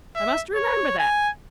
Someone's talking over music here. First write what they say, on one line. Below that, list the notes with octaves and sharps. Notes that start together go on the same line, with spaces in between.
I must remember that.
E5
C#5
G#5